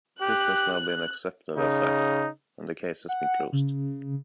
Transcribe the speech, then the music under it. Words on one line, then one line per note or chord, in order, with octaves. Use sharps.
This has now been accepted as fact, and the case has been closed.
G4 F#6
C#3 D#4
F#5
C#3